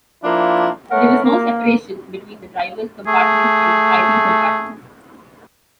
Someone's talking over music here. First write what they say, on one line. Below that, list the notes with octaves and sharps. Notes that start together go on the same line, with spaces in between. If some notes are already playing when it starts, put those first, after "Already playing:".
There was no separation between the driver's compartment and the fighting compartments.
F3 A#3 D4 E4 F4
A3 B3 A#4 C#5 F#5
A#3
A3 G#4